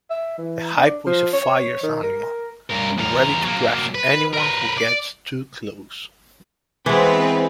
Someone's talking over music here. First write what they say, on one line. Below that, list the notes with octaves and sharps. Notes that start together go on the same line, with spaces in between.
The Hippo is a fierce animal; ready to crush anyone who gets too close.
E5
E3
D4
F3
C#5
D#3
A#4
G2 A#4
E2 A#4
F#3 A#3
B4
A#4 B4
D5
E3 G#3 B3 C4 B4